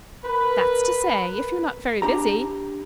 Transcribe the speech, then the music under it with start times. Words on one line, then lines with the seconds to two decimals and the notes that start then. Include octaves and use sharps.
"That's to say if you're not very busy."
0.25 A#4 B4
2.02 D4 G4 A#5